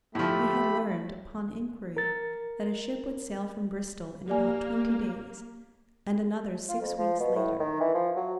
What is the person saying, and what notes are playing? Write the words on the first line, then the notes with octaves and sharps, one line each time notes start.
He had learned, upon inquiry, that a ship would sail from Bristol in about twenty days, and another six weeks later.
A2 F3 A3 G4 B5
A#4 A6
A#3 G4 D5 G#5
F4
F2
F3
B2
A2
D#3
E3
F3
F#3